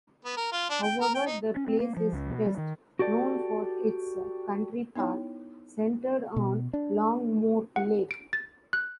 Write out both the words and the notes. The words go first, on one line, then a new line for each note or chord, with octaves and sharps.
However, the place is best known for its Country Park, centred on Longmoor Lake.
B3
A#4
F4
D4
G5
A#4
G5
D#4
C#4
C4
A#3
F3
C#2
B2
G3
D#3
F#4 G4 A4 D5
B3 D#4 E4 C#5 G5
B2
D4
F#5
D7
A6
F#6